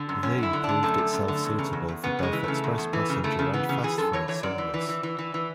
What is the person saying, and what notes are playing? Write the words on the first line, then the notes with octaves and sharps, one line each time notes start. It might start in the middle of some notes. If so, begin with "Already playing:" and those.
The proved itself suitable for both express passenger and fast freight service.
Already playing: D3
F#2
F#2 C#4
D3 E4
D3
D3 D4
F#2 A3
F#2
F#2
D3
E2
C#3
E2
E2
C#3 B3
C#3 G#3
E3
C#3 A3
E2
E2
E3
C#3
C#3 A3
C#3 A3
E3 B3
C#3 B3
E3 G#4
F#2 A4
E3 C#5
E3 C#5
F#2 D5
E3
E3
E3
E3
E3
E3